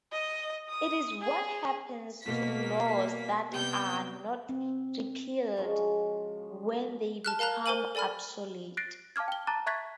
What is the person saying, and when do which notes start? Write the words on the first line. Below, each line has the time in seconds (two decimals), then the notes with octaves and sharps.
It is what happens to laws that are not repealed when they become obsolete.
0.12 D#5
0.69 D#6
1.21 G#4
2.23 B2 A#3 B6
3.50 C3 G3 B3 G5 G6
4.49 C4
5.57 C#3 F3 G#3 F#4
7.25 A5 F6 F#6
7.39 A#4 F5 A5 A#5 F#6
7.66 A#4 C5 G#5 D#7 F#7
7.95 A4 D5 G#5 B5 F6
8.77 F#6 A6 A#6 C7 D7
9.16 F5 A5 D6 F6 G#6
9.28 G5 G7
9.47 A5 A#5 D6 F#6 A6
9.66 E5 C#6 F#6 G#6 A6 B6